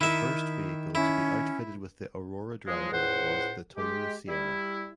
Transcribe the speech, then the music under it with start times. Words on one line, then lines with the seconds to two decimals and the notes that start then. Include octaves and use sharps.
The first vehicle to be outfitted with the Aurora Driver was the Toyota Sienna.
0.01 D#3 E4 E5
0.95 C#4 E4
2.67 F3 F#3 G#3
2.91 C#2 A2 C5 F#5
3.76 G#3 G4
4.28 G3 E4